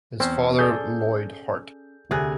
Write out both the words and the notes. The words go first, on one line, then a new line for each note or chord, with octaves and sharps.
His father Lloyd Hart.
E2 C4 C#4 C5
G#4 A4 D5 G6
D2 C3 G#4 G#5 F#6